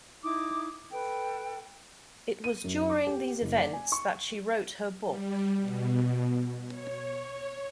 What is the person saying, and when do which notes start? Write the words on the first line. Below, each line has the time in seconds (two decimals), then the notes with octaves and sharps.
It was during these events that she wrote her book.
0.23 D#4 E4 D6 D#6
0.91 A4 B4 G5
2.44 D#7
2.64 F#2
2.90 D6
3.07 G4
3.42 F#1
3.57 D5
3.73 G#5
3.92 C#6
5.06 G3
5.61 B2
6.69 C#5